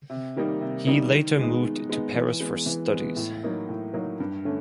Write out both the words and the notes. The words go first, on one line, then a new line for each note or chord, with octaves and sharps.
He later moved to Paris for studies.
C3
D#3 G3 A#3 D#4
C3
D#3 G3 A#3 D#4
D#3
G#3 B3 D#4
D#3
G#3 B3 D#4
E3
G#3 B3
E3
G#3 B3
A2
F#3 A#3 D#4
A2
F#3 A#3 D#4
G2
D3 A3 C#4